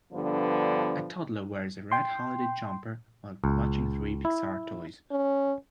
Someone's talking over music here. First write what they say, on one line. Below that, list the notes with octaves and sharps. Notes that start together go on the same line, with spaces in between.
A toddler wears a red holiday jumper while clutching three Pixar toys.
G2 D3 F3 B3
G5 C6
C#2
E4
C#4